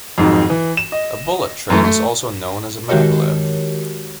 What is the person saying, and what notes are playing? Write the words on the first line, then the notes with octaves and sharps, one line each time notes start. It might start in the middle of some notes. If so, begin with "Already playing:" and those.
A bullet train is also known as a maglev.
F2 G#2 D#3 F#3
E3
E7
D#5
F#2 E3 A3
A3
D#3 G#3 F#4 G4 A#4 C#5